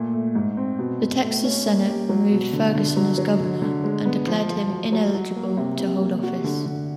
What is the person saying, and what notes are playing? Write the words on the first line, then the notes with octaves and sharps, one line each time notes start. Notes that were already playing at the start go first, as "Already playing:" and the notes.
The Texas Senate removed Ferguson as governor and declared him ineligible to hold office.
Already playing: A#2 A3
A3
G#2
C4
B2
B2
A3
C#4
A#3
G4
F#3
B2
D3
D3
F#3
F#3
D3
D3
G#3
B3
F3
F3
F#3
F#3
F#3
A#3
C3
C3
A#3
F#4
D3
D3